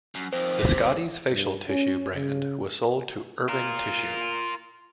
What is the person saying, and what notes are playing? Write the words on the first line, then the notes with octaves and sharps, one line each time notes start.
The "Scotties" facial tissue brand was sold to Irving Tissue.
F#2
F2 D#3 C5
G2 C3
G2
C#4
C#3
F4 A#4